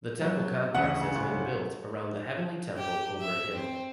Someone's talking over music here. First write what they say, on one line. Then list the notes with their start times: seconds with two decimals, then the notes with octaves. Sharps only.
The temple complex has been built around the heavenly temple over a hill.
0.21 F#3
0.75 D2 C#3 E3 C#4 F#5
1.16 C2 A2
2.77 G4
3.21 E5
3.55 C4